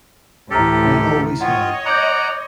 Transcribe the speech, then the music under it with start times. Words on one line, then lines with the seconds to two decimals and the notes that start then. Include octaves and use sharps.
We always have.
0.50 D2 A2 E3 G4 A4 A#5 F6 A6
1.41 F4 C#5 D#5 F#5 G5
1.85 D5 F#5 A#5 B5 D6 G6